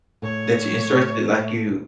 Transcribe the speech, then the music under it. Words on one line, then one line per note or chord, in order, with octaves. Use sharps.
that you're interested like, you
A2 C#5